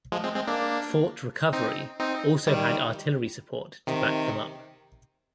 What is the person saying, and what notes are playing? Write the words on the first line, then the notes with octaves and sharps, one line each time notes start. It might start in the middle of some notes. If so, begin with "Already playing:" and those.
Fort Recovery also had artillery support to back them up.
F3 G#3
G#3 C4
G#3 C4
A#3 D4
C4 D#4
C4 D#4
D#3 G3
C3 D#3